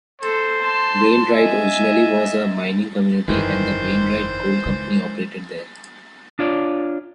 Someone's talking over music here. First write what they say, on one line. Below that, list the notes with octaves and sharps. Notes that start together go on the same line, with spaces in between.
Wainwright originally was a mining community and the Wainwright Coal Company operated there.
A4 C5
A5 C6
D#5 E5 G#5
G1 F2 D#3 E3 C5
C#3 G#3
D4 F4 C#5 D5